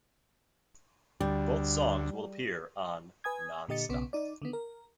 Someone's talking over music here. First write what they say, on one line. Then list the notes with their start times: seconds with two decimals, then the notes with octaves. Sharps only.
Both songs will appear on "Non-Stop".
1.21 D2 G3
3.24 B4 G#5 D#6 G#6
3.68 A#2 D3 G4 D#5 A6 C#7
3.89 B1 C#3 B3
4.13 D#4 D5
4.42 D3 D#3 B3
4.53 A#4